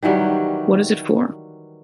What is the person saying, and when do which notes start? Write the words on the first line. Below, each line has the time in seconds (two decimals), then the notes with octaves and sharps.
What is it for?
0.02 D#3 E3 F#3 G3